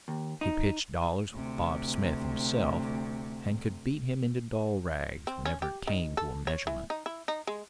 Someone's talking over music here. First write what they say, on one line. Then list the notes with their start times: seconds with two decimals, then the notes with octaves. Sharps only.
He pitched dollars with Bob Smith himself, and could "beat him into doll rags" whenever it came to a measurement.
0.08 D#2
0.41 D#4
1.32 D2 C3
5.27 C4
5.45 C#4
5.62 G4
5.87 D#3
6.17 A4
6.47 C#5
6.67 E3
6.90 D#4
7.06 E4
7.28 D#4
7.47 G#3